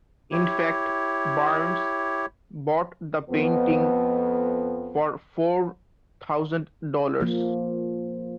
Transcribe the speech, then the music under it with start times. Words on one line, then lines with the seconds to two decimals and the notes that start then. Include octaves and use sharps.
In fact, Barnes bought the painting for four thousand dollars.
0.32 E4 G4 C#5
3.30 F2 B3
7.20 F3 A#3